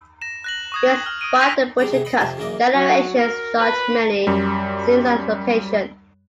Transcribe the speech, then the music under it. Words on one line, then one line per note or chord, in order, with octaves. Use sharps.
Despite the budget cuts, "Generations" shot many scenes on location.
A#6 E7
F#6 A#6 F#7
C#6 D#6 G#6
F6
D#6 F6 D7 D#7
E6 F#6 A#6 B6 D#7 F7
G3 G#4 D5 B5
C3 B3 G#4
D#5 B5
F2 C3 A5
F#2 C#3 E3 A#3 D5 D#5
F#3
A#4
B4
F#2 G3